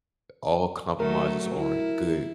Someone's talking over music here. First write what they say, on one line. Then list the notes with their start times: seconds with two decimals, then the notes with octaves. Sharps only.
all compromises aren't good
1.00 F#3 A3 A#4
1.57 E4